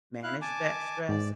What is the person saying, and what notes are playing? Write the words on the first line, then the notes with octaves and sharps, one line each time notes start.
manage that stress,
E4 F5 F#6
G#5 A5 D6
G#2 D5